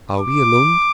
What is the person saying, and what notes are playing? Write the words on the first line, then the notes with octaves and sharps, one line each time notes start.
"Are we alone?"
D6